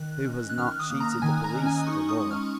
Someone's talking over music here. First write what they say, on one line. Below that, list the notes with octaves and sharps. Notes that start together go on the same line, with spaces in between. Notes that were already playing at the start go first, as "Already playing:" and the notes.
Who has not cheated the police, the law?
Already playing: D#3 F#6
C#4
F#6
D#3 F6
D#6
A#3
A#5
D#3 G#5
A#5
C#4
G#5
D#6
D#4 C#6
D#6
G#3
F6